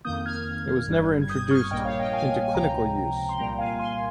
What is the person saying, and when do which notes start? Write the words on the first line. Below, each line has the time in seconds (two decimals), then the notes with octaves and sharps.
It was never introduced into clinical use.
0.05 F2 D#3 A#3 D#6 G6
0.26 F6 G#6
0.88 G1 G2 G3
1.22 G#6
1.29 D#6 G6
1.51 C#6 F6
1.71 A#1 A#2 G3 A#3 D#5 G5
1.85 C#5 F5
1.99 D#5 G5
2.13 F5 G#5
2.43 G#5
2.54 C#2 C3 F3 G5 A#5
3.29 C6
3.37 C2 A#2 G3 A#3 G5 A#5
3.58 F5 G#5
3.79 G#5 C6